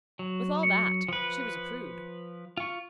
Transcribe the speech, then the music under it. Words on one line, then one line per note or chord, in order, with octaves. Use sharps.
With all that she was a prude.
F#3
C#7
F3 B4
F4 C#6